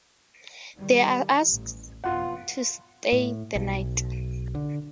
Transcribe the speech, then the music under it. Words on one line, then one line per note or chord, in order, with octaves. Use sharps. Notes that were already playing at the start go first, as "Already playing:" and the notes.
They are asked to stay the night.
D#3 G3
A1
F1 F#2 B3 F4 F#5
A2
B1
D3